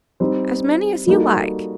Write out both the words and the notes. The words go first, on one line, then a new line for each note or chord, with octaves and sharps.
"As many as you like."
G3 C4 D#4 G4 C5
G3 A#3 D#4 F#4 A4